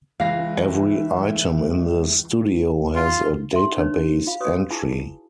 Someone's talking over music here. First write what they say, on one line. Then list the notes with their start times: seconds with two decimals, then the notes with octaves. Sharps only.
Every item in the studio has a database entry.
0.20 C#2 E3 E5 F5 A#6
2.95 F4
3.53 E5 A#5 C6
3.77 D4 D#4 B4 C#5
4.27 F4 F5 B5
4.40 F#4 B4 C#5 C#6 D#6
4.71 E4 F4 G#4 G#5 A5 B5